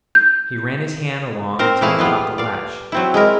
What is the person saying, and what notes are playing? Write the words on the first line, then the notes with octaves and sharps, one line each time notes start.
He ran his hand along until he caught the latch.
G6
C4 A#4 C5
E3 A3 E4 G#4 F5 A5
G3 B3 F4 F5
D5 F5
F#3 C4 E4
G#3 E4 A#4